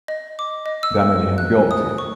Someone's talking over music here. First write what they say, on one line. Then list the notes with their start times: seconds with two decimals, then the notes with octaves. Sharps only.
That made him guilty.
0.08 D#5
0.39 D6
0.66 D#5
0.83 E6
1.38 F#6
1.71 D#6
1.98 C#6